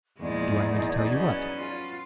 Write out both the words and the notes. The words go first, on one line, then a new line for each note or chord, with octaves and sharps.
Do I mean to tell you what?'
E2 A#2 F3 G#3 D#4 G#4 D5
F#3 B3 C#4
F4